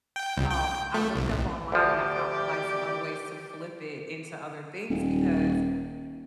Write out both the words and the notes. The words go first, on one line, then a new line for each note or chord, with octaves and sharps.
um, I looked up online, and I found, like, some other ways to flip it into other things because
G5
C#2
G5
A3
C2
A1
D2 F3 G4 D5
D#1